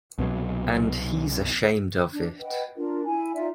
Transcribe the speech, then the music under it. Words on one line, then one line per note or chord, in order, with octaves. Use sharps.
And he's ashamed of it.
C2 B2 F#3
D4
B4 D#5 F#5 G5
D4 F4 A#4
E4 G#5
D#4 F4 D5 E5